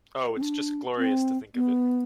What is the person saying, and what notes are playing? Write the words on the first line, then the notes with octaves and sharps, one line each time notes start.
Oh, it’s just glorious to think of it.
C4
D4
C4
B3